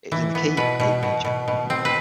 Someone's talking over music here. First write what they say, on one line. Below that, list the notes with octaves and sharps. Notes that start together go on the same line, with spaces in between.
It is in the key of A major.
E3
B3
B2 B4
B2
B2
B2
B2
C4
B4